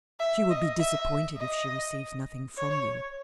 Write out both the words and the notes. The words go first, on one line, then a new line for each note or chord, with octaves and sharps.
She will be disappointed if she receives nothing from you.
E5
D#5
E5
D#5
C#5